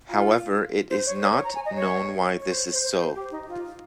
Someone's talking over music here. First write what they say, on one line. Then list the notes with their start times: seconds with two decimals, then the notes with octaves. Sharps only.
However, it is not known why this is so.
0.10 F4
0.90 C5
1.06 C#5
1.23 C#5
1.33 C#5
1.44 A#5
1.55 G#5
1.66 D#5
1.76 C#5
2.40 C#5
2.52 C5
2.73 C5
2.84 C5
2.99 C5
3.15 G4
3.31 D#4
3.48 F4